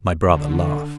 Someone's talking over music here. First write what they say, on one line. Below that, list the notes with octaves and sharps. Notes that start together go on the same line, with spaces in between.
My brother laughed.
D3